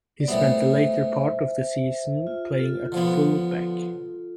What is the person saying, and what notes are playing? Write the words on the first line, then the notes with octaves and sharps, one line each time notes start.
He spent the later part of the season playing at full back.
D5
A2 G3 B3 C5 E5
F4
F4 A4
D3 F3 B3